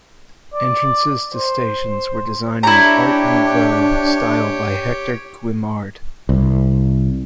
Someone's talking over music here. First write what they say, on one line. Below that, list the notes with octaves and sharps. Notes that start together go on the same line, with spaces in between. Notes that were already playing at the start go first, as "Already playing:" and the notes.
Entrances to stations were designed in "art nouveau" style by Hector Guimard.
D5
C5
D4 E4 G4 C#5 G5 A#5
C2